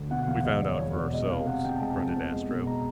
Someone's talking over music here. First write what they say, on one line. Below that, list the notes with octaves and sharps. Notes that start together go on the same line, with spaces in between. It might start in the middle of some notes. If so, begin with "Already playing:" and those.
"We found out for ourselves," grunted Astro.
Already playing: D2
B2 F#5
F#5
E2 F5
G#3 D#5
E2 D5
E2 C#5
B2 D5
G#3 D#5
C3 F5
C3 F#5
C3 G5
A5
G#3 G#5
F2 A5
B3
G#3
B2
G#3 A#5